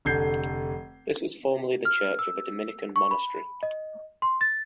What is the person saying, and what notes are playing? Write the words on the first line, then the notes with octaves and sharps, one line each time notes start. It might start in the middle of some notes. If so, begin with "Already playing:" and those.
This was formerly the church of a Dominican monastery.
F1 D3 A4 G6 G#6 C7
F6
E6
C#6
B5
D#5
C6
A6